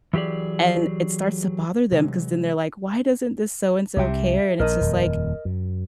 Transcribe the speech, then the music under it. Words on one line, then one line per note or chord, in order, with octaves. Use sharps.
And it starts to bother them 'cause then they're like, "Why doesn't this so-and-so care?" And it's just like,
E3 F#3 G4 G#4 D5
C3 E3 F#3 G#3
C2 G4 E5 G5
A#1 A#4 D#5
D#1 F2
F#2